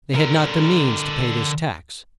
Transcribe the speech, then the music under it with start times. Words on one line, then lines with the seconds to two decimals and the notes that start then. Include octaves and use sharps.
They had not the means to pay this tax.
0.15 D3 A#4